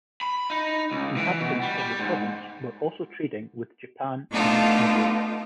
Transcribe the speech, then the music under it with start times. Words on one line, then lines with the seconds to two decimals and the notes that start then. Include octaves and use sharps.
Inhabitants of the province were also trading with Japan and India.
0.21 B5
0.50 D#4
0.91 C#2
1.17 E3
1.40 B2
1.62 G3
1.78 G3
1.99 G#2
4.31 A3 B3 D4 D#4 F4 A4